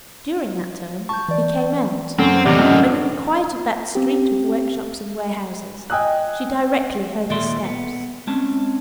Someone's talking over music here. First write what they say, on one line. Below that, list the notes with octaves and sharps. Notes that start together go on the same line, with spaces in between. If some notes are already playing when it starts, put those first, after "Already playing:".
During that turn he came out, and in the quiet of that street of workshops and warehouses, she directly heard his steps.
A5 C#6 G6
E3 D5
F#2 C4 C#4 A4
E2 A2 C3 D#3 D5 D#5
F#2 C#4 F4
C4 G4
D#5 G5 G#5 D#6 E6 F#6
D#2 A#2 A4 D5 E5 C6
B3
G#3 C4 C#4 A5